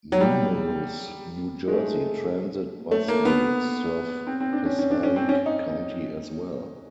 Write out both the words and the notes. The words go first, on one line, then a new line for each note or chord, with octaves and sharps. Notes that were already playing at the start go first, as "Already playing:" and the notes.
Numerous New Jersey Transit bus routes serve Passaic County as well.
F#3
G3
G#3
A3
A3
A#3
B3
C4
C4
D4
C#4
C#4
D4
C#4
C4
C#4
D#4